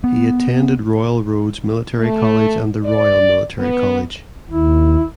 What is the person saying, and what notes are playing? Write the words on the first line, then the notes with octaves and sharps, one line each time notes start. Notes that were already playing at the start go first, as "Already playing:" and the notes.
He attended Royal Roads Military College and the Royal Military College.
B3
A3
D5
B3
D#2 E4